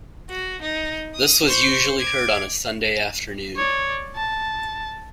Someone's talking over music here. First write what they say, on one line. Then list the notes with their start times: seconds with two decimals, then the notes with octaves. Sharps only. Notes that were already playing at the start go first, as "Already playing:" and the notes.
This was usually heard on a Sunday afternoon.
0.30 F#4
0.62 D#4
1.15 D#6
1.47 C5 C#6
1.99 D6 G#6
3.56 C#5 D5
4.16 A5